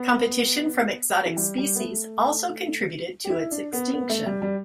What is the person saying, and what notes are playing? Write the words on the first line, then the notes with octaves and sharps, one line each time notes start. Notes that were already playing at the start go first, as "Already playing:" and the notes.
Competition from exotic species also contributed to its extinction.
Already playing: B3
E3
G3
G3
B3
A3
G4
E4
D4
B3
B3
A3
G3
G3